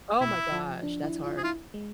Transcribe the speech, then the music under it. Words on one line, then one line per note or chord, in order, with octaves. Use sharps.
Oh my gosh. That's hard.
B2 E4
F3
D4
E4
F4
G#4
E4 F4
G#3